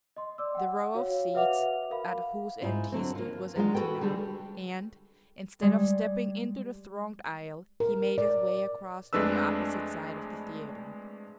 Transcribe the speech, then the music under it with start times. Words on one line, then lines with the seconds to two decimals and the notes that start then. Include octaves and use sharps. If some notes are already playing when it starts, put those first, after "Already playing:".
The row of seats at whose end he stood was empty now, and, instead of stepping into the thronged aisle, he made his way across to the opposite side of the theatre.
0.17 D#5 C6
0.38 D5 D6 E6
0.55 F#5 G5
0.95 F#4 C#5 F5
1.34 F#4 B4 E5 F#5 D6 F7
1.90 A#4 F5 B5
2.62 G#2 E4 F4
2.92 D3 F#3 C4
3.15 A#3 F4
3.55 F#3 G#3 D4 F4
3.74 F#4 A4 B4 G5
4.01 D3 G3 G#4 A4
5.61 G3 G#3 D5
7.80 A#4
8.18 D5
9.13 F2 G#3 A3 D4 B4 E6